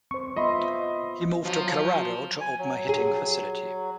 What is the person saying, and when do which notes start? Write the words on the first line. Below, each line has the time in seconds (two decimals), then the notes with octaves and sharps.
He moved to Colorado to open a hitting facility.
0.11 C4 C5 C#6
0.36 B3 F4 D#5 E5 B5 C6
1.45 F3 F#3
2.41 G#5
2.59 F#3
2.89 G#4